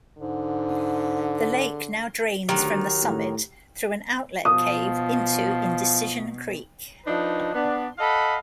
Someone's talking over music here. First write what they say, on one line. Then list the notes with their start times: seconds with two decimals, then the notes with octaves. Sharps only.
The lake now drains from the summit through an outlet cave into Indecision Creek.
0.18 G#2 D3
2.49 D2 D#3 F#3 G4 A#5
3.03 A2
4.45 B2 F3 D#6
7.06 F3 D4 D#4 B4 D#5
7.54 B3 D4
7.98 A4 D#5 F5 F#5 B5